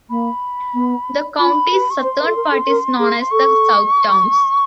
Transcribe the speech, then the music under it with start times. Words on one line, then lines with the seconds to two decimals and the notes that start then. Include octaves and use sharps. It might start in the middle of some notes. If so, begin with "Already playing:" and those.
The county's southern part is known as the Southtowns.
0.09 A#3 B5
0.73 B3
1.38 F4 B5
1.71 B4
1.90 C#6
2.02 C5 C6
2.19 B4
2.26 A4
2.35 A#4
2.51 A4
2.67 A#4
2.99 G#4
3.21 C6
3.31 A4 C#6